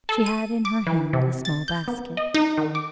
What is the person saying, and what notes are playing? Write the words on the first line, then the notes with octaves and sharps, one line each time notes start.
She had in her hand a small basket.
A4
D#7
D6
E3
C3
A6
G6
B3
D#5
D#4
D#3
D6